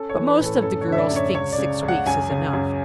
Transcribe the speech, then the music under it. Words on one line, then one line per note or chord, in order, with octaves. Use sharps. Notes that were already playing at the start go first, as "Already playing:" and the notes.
"But most of the girls think six weeks is enough."
Already playing: C#4 A4
C#5
E3
B4
A2
A4
F#2 A4
C#5
D3
E5
D5
F#2
C#5
C#2 C#5
D5
C#3
C#2
F#5
F#2 G#5
C#3
F#2